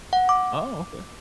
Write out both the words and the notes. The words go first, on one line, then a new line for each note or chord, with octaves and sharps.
Oh, okay.
F#5
D6